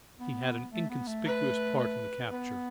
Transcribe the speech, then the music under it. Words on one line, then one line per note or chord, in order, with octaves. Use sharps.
He had an inconspicuous part in the capture.
B3
A3
B3
A3
B4
B4
B3